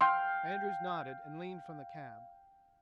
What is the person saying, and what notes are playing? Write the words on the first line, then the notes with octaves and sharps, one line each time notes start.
Andrews nodded and leaned from the cab.
F5 G5 C6